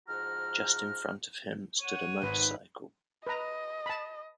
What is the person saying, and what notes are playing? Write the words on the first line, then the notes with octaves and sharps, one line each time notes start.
Just in front of him stood a motorcycle.
G#2 F3 F#4 A#5 F6
C#5 F#5 D#7
G#1 C4 B4 C5
B4 D#5 A#5
A5 B5